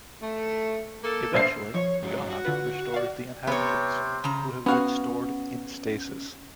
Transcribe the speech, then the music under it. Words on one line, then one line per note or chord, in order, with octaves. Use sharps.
Eventually "God" restores the inhabitants, who have been stored in stasis.
A3
A#3 A4
A#1 B3 C5 E5 C7
F3 C#5
G#2 F#3
F#4
D3 F4 B4
D5 F5
C3 B3 C#5
C#3 A#5
B3 C#4 F#4 F5 F#5